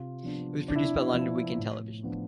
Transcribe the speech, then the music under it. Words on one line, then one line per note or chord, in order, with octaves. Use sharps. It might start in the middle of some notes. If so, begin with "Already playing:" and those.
It was produced by London Weekend Television.
Already playing: C3 F4
F3 B3 D4
C3 D4
E4
D4
F3 B3 D4
A2
F3 B3 D4